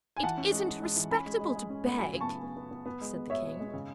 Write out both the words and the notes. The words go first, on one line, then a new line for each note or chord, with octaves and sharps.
'It isn't respectable to beg,' said the King.
G#5
E3 F#5 A5
C#4
G#3
G#3
G#3
E3
C#4 G#5 B5
G#3
G#3
G#3
C#4
A2
F#3 G#5 B5
C#3
A5 C#6
B3
B3
B3
B3
B3
G#3
B3
B3 C#5 E5
B2
G#3
C#3